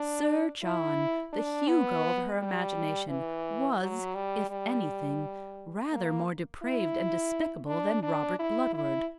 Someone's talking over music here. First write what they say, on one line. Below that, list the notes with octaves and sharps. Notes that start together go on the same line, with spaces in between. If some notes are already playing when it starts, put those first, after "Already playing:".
Sir John, the Hugo of her imagination, was, if anything, rather more depraved and despicable than Robert Bludward.
Already playing: D4
E4
D4
B3
G3
E3
F#3
G3
G3
A#3
E4
D4
D4
E4
E4